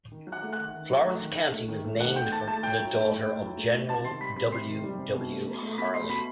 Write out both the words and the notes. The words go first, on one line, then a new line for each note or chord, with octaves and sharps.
Florence County was named for the daughter of General W. W. Harllee.
D#3
F#3
F#5 F#6
A3
F#5 F#6
D#3
D#3
F#3
A3
D#3
D#3
A3
D#3
A3
D#3 F#5 F#6
A3 G5 G6
D#3 A5 A6
A3 A5 A6
A2 G5 G6
F#3
A3
A2
A2
F#3
A3
A2
C3 A5 A6
D#3 C6 C7
G3 B5 B6
C3 B5 B6
C3 C6 C7
D#3
G3
C3
B2
A3
B2
A3
B2 B5 B6
A3 C6 C7
B2 B5 B6